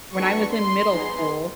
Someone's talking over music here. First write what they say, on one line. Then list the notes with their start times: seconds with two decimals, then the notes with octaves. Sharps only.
When I was in middle school
0.14 B3 D4 F#4 A4 C#6
0.53 C6
0.92 B3 D#4 G#4